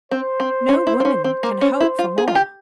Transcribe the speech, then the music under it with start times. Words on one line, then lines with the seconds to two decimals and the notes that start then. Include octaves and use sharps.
No woman can hope for more.
0.11 C4 C5
0.40 C4
0.69 C#4
0.87 E4
1.00 C4
1.05 C#4
1.24 C4 C5
1.43 A#3
1.61 C#4
1.80 E4
1.99 F4
2.18 G#4
2.28 F4
2.35 G4